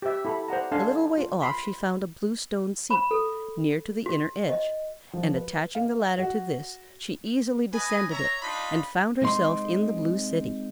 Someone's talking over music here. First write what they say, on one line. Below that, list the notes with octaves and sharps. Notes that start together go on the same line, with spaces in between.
A little way off she found a bluestone seat, near to the inner edge, and attaching the ladder to this she easily descended it and found herself in the Blue City.
G4 C5 E5
E4 A4 B5
C5 D5 F#5 A#5
D4 A4 F5 G#5 A5 C6
F4
B5 C6
B5
A4
F#4
D#5
F3
B4
F5
F#4
B3 B4 D#5 G#5
C#5 E5 A#5
D4 D#4 F4 B5
C3 G#3 C4 D#4 E4 C6